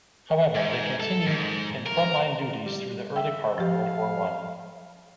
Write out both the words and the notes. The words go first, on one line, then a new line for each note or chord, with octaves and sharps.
However, they continued in front-line duties through the early part of World War One.
G#2
A4
G#2
A#4
G3
E5 G5
F3 G4 F5